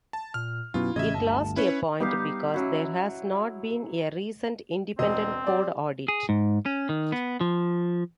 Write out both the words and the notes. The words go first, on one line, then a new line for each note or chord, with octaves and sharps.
It lost a point because there has not been a recent independent code audit.
A5
A#2 F6
F#2 B2 E4 F4
A1 C#3 D#5 E5 G#6
G1 D2 A5
C#4 E4 B4 C#5
G3 B3 D#4 G4 F5
F#3 C#4 E4 F#4
E1 C4 D#5
G4 D5
G#4
G#2
C#4
D#3
B3
F3